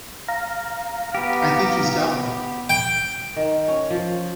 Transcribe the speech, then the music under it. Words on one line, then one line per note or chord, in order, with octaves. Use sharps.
I think he's got one.
F5 A#5
B3 G4
G5
D#3
C#4
F3